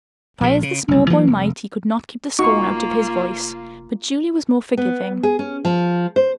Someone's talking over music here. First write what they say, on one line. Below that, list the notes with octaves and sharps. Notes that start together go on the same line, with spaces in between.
Try as the small boy might, he could not keep the scorn out of his voice. But Julie was more forgiving.
A#1 A#2
C#3
F#1 C2
E3 F#3 A#3
F1
F1 A#3 D#4 F4 F#4 C#6
B3
G#4
C#4
F3
C5